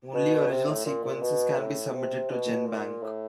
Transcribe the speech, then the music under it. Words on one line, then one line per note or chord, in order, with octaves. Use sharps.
Only original sequences can be submitted to GenBank.
B2
C3
A2
A#2
A#2
B2
A2
C3
B2
A#2
A2